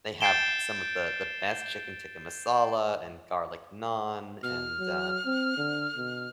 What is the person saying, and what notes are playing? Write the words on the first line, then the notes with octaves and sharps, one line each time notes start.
they have some of the the best chicken tikka masala and garlic naan, and, uh,
G6 A6 C7 D7 E7 G7
B2 F6
F#3
C4
D3
B2